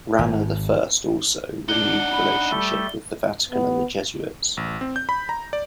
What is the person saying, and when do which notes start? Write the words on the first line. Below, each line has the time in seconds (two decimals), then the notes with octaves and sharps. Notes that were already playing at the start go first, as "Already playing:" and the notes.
Rama the First also, renewed the relationship with the Vatican and the Jesuits.
0.19 G#1
1.69 D4 D#4 F#5 G7
2.11 B5
2.51 G3 A3 A4
3.51 B3
4.57 A1
4.81 C4
4.96 G6
5.09 B5
5.29 A#5
5.53 D5